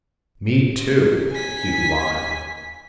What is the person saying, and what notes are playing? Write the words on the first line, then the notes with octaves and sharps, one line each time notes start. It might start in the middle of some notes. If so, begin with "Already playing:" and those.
"Me, too," Hugh lied.
G#5 B6